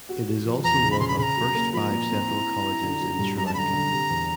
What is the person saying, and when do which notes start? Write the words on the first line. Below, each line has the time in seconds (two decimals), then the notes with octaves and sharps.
It is also one of First five Central Colleges in Sri Lanka.
0.09 F#4
0.28 F#4
0.45 F3
0.64 E2 A#5
0.82 C#3
0.91 B5
1.00 C#3 C6
1.08 B5
1.19 C#3 A#5 B5
1.37 F#3
1.55 A#3
1.73 F3 B5
1.78 A#5
1.91 A#2
2.10 C4
2.28 E4
2.46 E4
2.64 E4
2.83 D3
3.01 F#3
3.19 G2
3.37 F#2 A#5
3.46 A5
3.54 D3 A#5 B5
3.74 D3
3.92 C3
4.10 E2